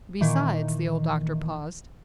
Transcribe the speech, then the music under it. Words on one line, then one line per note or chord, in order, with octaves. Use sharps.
"Besides," the old doctor paused.
A#2 D#3 E3